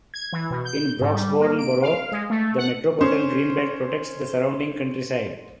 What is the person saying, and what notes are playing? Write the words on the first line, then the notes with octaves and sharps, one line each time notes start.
In Broxbourne borough, the Metropolitan Green Belt protects the surrounding countryside.
G#6
E3
B2
G6
G#2
G3
A#3
D7
F5
G#3
A3
F#5
C#4 C5